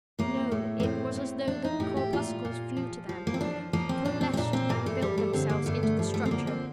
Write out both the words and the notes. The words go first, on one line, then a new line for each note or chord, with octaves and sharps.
No--it was as though the corpuscles flew to them, coalesced and built themselves into the structure.
A2 A#3
A2 A3
A#3
A2 C4
A2
A2 D4
D#4
A2 G4
G4
A#2 F4
A#2
F3
F3
A#3
C4
F3 D4
F3 A#3
C4
A#2 D4
C4
C4
A#2 D4
C4
G2 A#3
A3
G2 G3
A3
D3 C4
A#3
G2 A3
A3
F3 G3
A3
C4
D3 A#3
C4